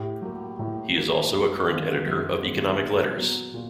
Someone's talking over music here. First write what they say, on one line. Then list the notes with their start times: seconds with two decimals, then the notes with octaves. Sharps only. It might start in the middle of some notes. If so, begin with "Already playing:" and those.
He is also a current editor of Economic Letters.
Already playing: A2 G4
0.22 F#3 A#3
0.59 A2
0.96 F#3 A#3
1.32 F#2 F#4
1.69 D#3 G#3 B3 F4
2.06 F#2 F#4
2.43 D#3 G#3 B3
2.80 A#2
3.17 F#3 B3
3.54 A#2 F4